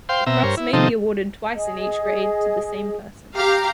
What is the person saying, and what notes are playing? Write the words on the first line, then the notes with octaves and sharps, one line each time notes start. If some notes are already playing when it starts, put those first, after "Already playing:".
The cross may be awarded twice in each grade to the same person.
C5 F5 G5 C6
B2 C4 E5 A#5
G2 A#4 C5 C#5
E4
C3 D#3 F3 C4 D#4 A4
G#4 D#5
G4 F5 A#5